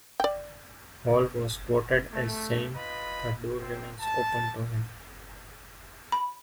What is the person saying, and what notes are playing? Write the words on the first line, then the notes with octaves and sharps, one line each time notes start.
Hall was quoted as saying "the door remains open to him".
D5 G5
A3
F4 B4 D#5 B5
C4
A5
B5